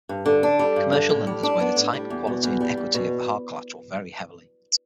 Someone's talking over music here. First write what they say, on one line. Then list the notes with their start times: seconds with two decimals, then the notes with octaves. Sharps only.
Commercial lenders weigh the type, quality, and equity of the hard collateral very heavily.
0.09 G2
0.26 D3
0.43 D4
0.59 G3
0.76 G2
0.93 D3
1.10 A2
1.27 G3
1.43 D4
1.60 B3
1.76 A2
1.93 G3
2.10 E2
2.27 B2
2.44 E2
2.61 G3
2.77 E2
2.94 B2